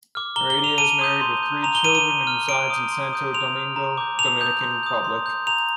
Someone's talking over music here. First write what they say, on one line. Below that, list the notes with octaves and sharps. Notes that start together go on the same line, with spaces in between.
Heredia is married with three children and resides in Santo Domingo, Dominican Republic.
D6 F6
A#5 G7
G7
D6 F6
F7
A5 D#7
C6 D#6 G6
C6
G6
A#5 F7
G7
D6 F6 D#7
D#7
A#5
F6
C6 D7
D#6 G6
C6
D#6 G6
C6 F7
F6
A#5
D6 G6
A5 F7
D#6 G6
C6
D#6 G6
C6
G6
A#5 F7